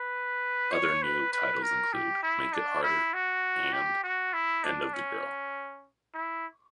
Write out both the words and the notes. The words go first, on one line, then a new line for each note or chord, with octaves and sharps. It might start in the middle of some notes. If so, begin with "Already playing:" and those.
Other new titles include "Make It Hard" and "End Of The Girl".
Already playing: B4
C#5
B4
B4
A#4
G4
E4
D4
E4
F#4
G4
F#4
E4
D4
C#4
E4